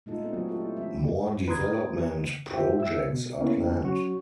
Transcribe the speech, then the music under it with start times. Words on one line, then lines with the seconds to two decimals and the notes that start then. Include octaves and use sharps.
More development projects are planned.
0.06 A#2 G#3 A3 D#4 F4 A4
0.22 B3 C4 D4 G#4
0.33 F#3 A3 B3 F4 F#4
0.48 D4 F4 G4 A4
0.61 A3 E4
0.77 E3 G#3 C#4 E5
1.48 B4 A#5 C6 D#6 G#6
2.54 F4 G4 C5 E5 G5
2.79 E5 E6
3.10 B2
3.40 A#3 B3 C#4 E4
3.83 F#3 C#4 F#4 C#6